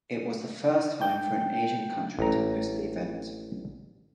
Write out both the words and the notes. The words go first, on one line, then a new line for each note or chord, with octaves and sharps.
It was the first time for an Asian country to host the event.
G5
A1 A#5